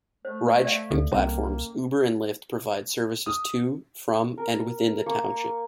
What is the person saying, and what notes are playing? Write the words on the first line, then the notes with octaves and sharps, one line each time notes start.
Ridesharing platforms Uber and Lyft provide services to, from and within the township.
A3 C5
D5 E5 F5
D2 A4
C2 A#3 C#4
D#6
A#4
A#3 C#6